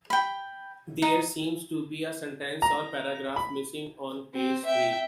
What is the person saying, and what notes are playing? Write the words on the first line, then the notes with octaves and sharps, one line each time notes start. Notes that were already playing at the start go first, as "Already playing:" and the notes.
There seems to be a sentence or paragraph missing on page three.
G5 B5
D#4
A#5
B5
C4
E5 G5